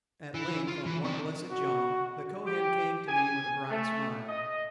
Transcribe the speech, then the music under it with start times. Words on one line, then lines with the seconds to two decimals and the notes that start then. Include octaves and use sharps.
At length on one blessed jom, the Kohen came to me with a bright smile.
0.34 E3
0.67 F4
0.86 E3
1.05 C4 D5
1.51 F#4
2.46 G4
3.08 G#5
3.70 A3
4.29 D#5